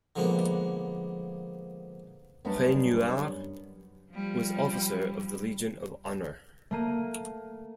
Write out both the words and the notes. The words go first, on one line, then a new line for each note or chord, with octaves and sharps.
Raynouard was Officer of the Legion of Honour.
D3 F3 G#3 A#3 B3 D4
F#2 G3 B3 C#4 D4 A5
F3 G3
A3 A#3 D#7